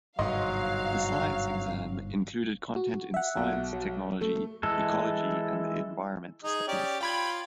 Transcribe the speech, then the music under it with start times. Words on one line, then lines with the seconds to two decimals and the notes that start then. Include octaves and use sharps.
The Science exam included content in science, technology, ecology and the environmental studies.
0.19 G1 G#2 C3 F#3 D#5 F5 C6
2.76 F#4
3.14 E5 F#5
3.37 B1
3.73 F#3
4.21 A3
4.63 E3 G#3 A4
6.44 D#4 G#4
6.68 C#4 G4 D5
7.01 F4 G5 B5 G#6